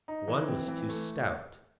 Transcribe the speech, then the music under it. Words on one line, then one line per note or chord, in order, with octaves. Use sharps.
One was too stout.
D#4
E3
C4
E3
A3